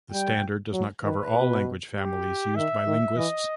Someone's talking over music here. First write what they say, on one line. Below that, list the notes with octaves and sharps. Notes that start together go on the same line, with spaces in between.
The standard does not cover all language families used by linguists.
G3 G5
F#3
D#3 B4
B2
G4
D#3 E5
D#3
E3 D#5